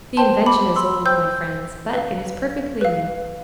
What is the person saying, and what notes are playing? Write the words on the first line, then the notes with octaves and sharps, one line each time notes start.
The invention is old, my friends, but it is perfectly new.
C5 G5 A5 C6
B5 D6
C6 E6
C5 G5 E6 G6
B4 F5
B4 F5